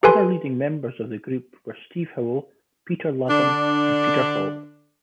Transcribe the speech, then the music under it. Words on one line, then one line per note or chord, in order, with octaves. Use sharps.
Other leading members of the group were Steve Howell, Peter Latham and Peter Hall.
G4 A4 B4 G#5 C6
D3 D4